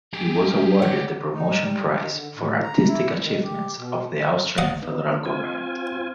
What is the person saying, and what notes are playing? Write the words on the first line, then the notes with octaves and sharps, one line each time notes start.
He was awarded the Promotion Prize for Artistic Achievements of the Austrian Federal Government.
G4 G#4
C#5 F#5
D#4
G3
D#3
D3
A2
A#5
E4
D#3
G4
B2
F5 F#5 D#6
B3 D#4
C4 F4 G#5